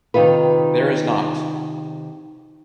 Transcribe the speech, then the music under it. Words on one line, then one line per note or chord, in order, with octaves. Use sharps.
There is not.
C3 D#3 D#4 F4 B4